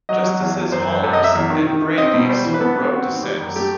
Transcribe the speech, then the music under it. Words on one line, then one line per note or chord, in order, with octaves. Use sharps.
Justices Holmes and Brandeis wrote dissents.
F#3 D#5
F#3
E2
E2
F#2 C5
F#2
F#2 A4
D#5
F#2
E5
E2
D#3
D#3
D#3
C4 D#5
B2
G3 C5
E3
B4
B3 A4
B3
C4 F#4
D#2
G3 G4
F#2
A3 G4